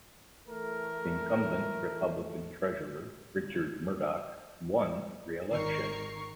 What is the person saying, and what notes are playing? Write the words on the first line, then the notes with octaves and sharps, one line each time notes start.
Incumbent Republican Treasurer Richard Mourdock won reelection.
E3 A3 A#4
G#1 D#3 A#4 A#5 C#6 C7